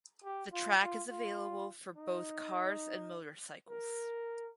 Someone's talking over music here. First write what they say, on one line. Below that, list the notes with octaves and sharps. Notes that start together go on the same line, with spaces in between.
The track is available for both cars and motorcycles.
G4
F4
F4
F4
D#4
A#4